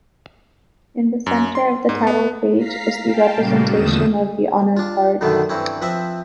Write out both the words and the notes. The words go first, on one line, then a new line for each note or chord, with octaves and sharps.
In the center of the title page is the representation of the honor card.
F#2
C6
G#2
B3
F5 A#5 B6 C7
F5 G5 A5
A#2 C#3 G3 A#3 F#4
E2 D3 F3 A3 D#6 E7
D4 F4
F#2 B2 D3 D#3 A3 B3
G2 E3 C4 C#4
F3 C4 B4 C5 E5